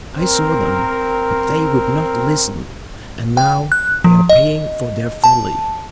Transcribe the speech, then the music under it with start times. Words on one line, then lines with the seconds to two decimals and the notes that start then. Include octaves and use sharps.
I saw them, but they would not listen, and now they are paying for their folly.
0.16 C4 A#4
3.37 G5
3.72 F#6
4.04 F3
4.29 D#5
5.24 A5